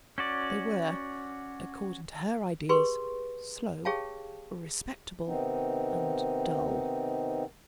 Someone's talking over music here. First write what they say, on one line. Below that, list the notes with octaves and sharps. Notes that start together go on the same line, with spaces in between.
They were, according to her ideas, slow, respectable, and dull.
C#4 F#4 D5
G4 G#4 B4 C6 C#6
G4 G#4 C#5 F5 G5 A5
C3 D#3 B3 C4 D#4